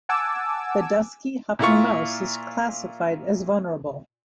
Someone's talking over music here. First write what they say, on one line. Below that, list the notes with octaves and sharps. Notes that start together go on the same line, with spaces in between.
The dusky hopping mouse is classified as vulnerable.
F#5 G#5 A5 D6 E6
A#2 E4 F4 C#6